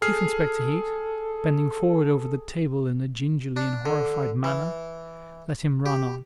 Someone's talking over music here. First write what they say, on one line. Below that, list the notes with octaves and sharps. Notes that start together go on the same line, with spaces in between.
Chief Inspector Heat, bending forward over the table in a gingerly and horrified manner, let him run on.
G#4 A4 F6 C7
D4
D3
E3
G4